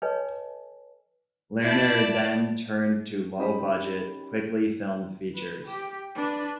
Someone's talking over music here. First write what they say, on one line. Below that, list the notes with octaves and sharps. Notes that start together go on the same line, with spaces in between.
Lerner then turned to low-budget, quickly filmed features.
A4 B4 C#5 D#5 G#5 A5
E4 D5 A5
C#4 D#4 G4 B5
B4
G4
D4 B4